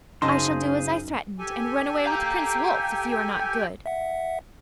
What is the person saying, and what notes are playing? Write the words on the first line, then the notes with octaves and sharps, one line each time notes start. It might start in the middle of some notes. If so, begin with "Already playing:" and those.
I shall do as I threatened, and run away with Prince Wulf, if you are not good.
F#2 C#3 D#4 G#4 C5 D#5 A5 C6
G4 A4 G#5
F5 G5 A#5
E5 F#5